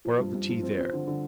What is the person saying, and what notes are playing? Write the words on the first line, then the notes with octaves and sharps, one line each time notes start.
Pour out the tea there.
F3
G2
G2
F3
C4
C4
D3
D3